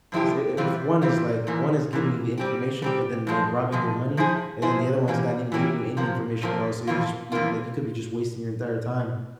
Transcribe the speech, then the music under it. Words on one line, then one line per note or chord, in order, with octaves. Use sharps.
'cause i if one is, like one is giving you the information, but then, like, robbing your money, and then the other one's not even giving you any information at all, so, you're just, e like, you could be just wasting your entire time.
G2 F3 G#3 E4 G4
E3 G3 C4 F4
E3 G3 C4 F4
G#2 E3 A#3
G#2 E3 A#3
G3 C4 G4
G3 C4 G4
G2 F3 G#3
G2 F3 G#3
F3 G#3 E4 G#4 C5
F3 G#3 E4 G#4 C5
E3 A#3 C#4 G4
E3 A#3 C#4 G4
C3 F3 A#3
C3 F3 A#3
F2 E3 A#3 F4
F2 E3 A#3 F4